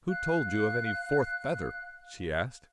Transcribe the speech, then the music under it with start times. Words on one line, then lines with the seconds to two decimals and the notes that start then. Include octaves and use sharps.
"Who told you of any fourth feather?" she asked.
0.08 F5 F#6